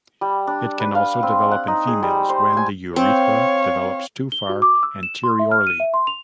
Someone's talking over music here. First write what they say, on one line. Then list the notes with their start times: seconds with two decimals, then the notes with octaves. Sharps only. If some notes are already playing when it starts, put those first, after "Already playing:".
It can also develop in females when the urethra develops too far anteriorly.
0.21 G3
0.47 D4
0.80 B4
0.95 F5
1.23 C4
1.51 F#5
1.68 D#4
1.87 G#4
2.03 G3
2.29 C5
2.57 G#5
2.96 C4 C#5 F5
4.32 G7
4.49 F#4
4.62 D6
4.83 E6
5.03 E7
5.23 C6
5.39 E5
5.51 F6
5.67 D#7
5.80 E5
5.94 C6
6.07 F7